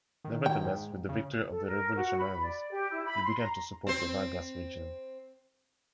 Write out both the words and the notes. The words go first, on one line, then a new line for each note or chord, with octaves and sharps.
Nevertheless, with the victory of the revolutionaries, he began to support the Vargas regime.
D#3
G5
G#2
C#3
A4
A#4
F#4
B5
D5
G4
E4
B5
C6
A#5
C4 C5